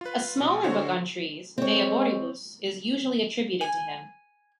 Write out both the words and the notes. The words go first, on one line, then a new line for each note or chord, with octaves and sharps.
A smaller book on trees, "De arboribus", is usually attributed to him.
F4 B4
B2
D3 A3 D4 F#4 C5 C#5
G#3 C4 C#5
G#5